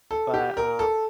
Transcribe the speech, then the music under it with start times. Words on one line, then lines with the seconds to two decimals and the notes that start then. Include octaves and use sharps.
But, um
0.11 A4
0.34 G4
0.57 A#4
0.79 A4